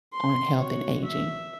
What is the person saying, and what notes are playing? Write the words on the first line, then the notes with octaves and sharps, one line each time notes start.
on health and aging
C6
F#4 C#5
E5